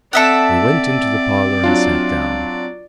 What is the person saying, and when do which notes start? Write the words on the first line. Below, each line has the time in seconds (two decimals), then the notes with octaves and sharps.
We went into the parlour and sat down.
0.13 C4 A4 D5 E5 F#5
1.64 F#3 D4 F4